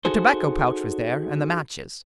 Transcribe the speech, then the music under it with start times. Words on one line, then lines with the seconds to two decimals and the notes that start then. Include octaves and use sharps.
The tobacco-pouch was there, and the matches.
0.05 D#4 F#4 G#4 A4 C5